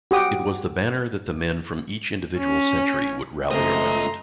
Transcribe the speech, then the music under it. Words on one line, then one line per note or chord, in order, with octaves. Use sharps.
It was that banner that the men from each individual century would rally around.
F#4 G4 D#6
C#4
C#2 F#2 C#3 A3 C4 D#5 A#5 C6